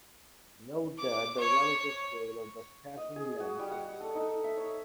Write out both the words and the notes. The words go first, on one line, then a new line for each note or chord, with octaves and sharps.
Note that the relative scale of the scattering lengths is the same.
D6
C#5
D#5
G#4
F#4
G3
F#5
A4
D#4
E5
C#5